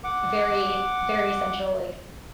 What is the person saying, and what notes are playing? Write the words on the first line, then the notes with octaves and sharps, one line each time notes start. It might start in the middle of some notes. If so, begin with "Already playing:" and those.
very, very central, like,
F#5 D6